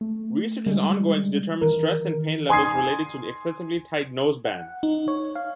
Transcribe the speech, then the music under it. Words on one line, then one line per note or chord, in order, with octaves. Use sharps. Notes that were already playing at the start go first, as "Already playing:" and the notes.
Research is ongoing to determine stress and pain levels related to excessively tight nosebands.
A3
D3 G3 G#3
D#3 E3 A#4
G#5 C6 D#6 G#6 C7
F#5
D#4
C#5
F5